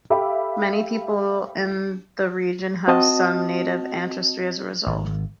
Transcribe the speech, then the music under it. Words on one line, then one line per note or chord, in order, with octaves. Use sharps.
Many people in the region have some native ancestry as a result.
G4 A4 E5 F5 B5 D6
C4 F#4 D#5 A5 D#6
G#1